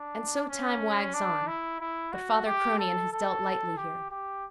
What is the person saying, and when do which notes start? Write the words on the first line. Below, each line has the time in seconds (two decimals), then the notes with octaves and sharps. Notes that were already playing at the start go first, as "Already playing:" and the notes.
And so time wags on: but father Cronion has dealt lightly here.
Already playing: D4
0.48 C#4
1.14 D4
1.47 E4
1.80 E4
2.12 F#4
2.46 G4
2.78 A4
3.12 A4
3.77 G4
4.10 G4